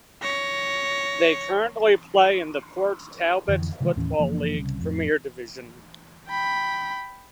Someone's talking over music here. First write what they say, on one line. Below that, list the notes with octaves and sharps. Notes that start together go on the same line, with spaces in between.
They currently play in the Port Talbot Football League Premier Division.
C#5 A#6
F2 D3 E3
C3 D#3 E3 G#3
D#2 A2 E3 C#4
F#1 E3 F3 A#3
C2 C#3
F2 A2
G5 B5